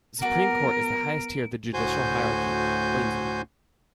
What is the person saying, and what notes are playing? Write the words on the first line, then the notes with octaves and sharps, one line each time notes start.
The Supreme Court is the highest tier of the judicial hierarchy Queensland.
B3 F#4 A#4 D5 F#5 D7
D2 A2 F#4 C5 G#5 G6